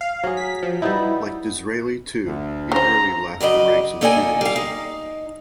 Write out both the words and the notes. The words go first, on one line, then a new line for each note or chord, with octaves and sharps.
Like Disraeli, too, he early left the ranks of Judaism.
F5
F#3 G#4
B6
F3
G3 B3 D#4 E4
D2
C#3 C5 A#5
F#2 C#3 D5 D#5
A#3 D#4 A4 D5 D#5 G#5
G3 F5
D#4